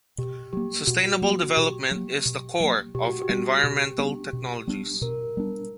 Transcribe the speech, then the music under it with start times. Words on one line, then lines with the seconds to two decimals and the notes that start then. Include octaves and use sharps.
Sustainable development is the core of "environmental technologies".
0.18 B2 G4
0.53 F#3 A#3 G4
0.87 B2 F#4
1.22 F#3 A#3
1.56 B2 G4
1.91 F#3 A#3
2.26 B2
2.60 F#3 A#3
2.95 B2 G4
3.08 F#4
3.22 G4
3.29 G3 B3 D4
3.63 B2 G4
3.98 G3 B3 D4
4.33 B2
4.67 G3 B3 D4
5.01 B2 A#4
5.37 G3 B3 D4